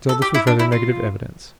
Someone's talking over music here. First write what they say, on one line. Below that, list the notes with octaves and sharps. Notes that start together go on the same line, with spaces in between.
Still this was rather negative evidence.
A4
G4
E4
D4
E4
F4